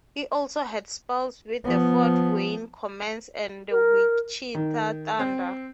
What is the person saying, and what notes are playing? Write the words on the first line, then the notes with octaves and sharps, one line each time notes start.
He also had spells with the Fort Wayne Komets and the Wichita Thunder.
F3 B3
A#4
D#3
C4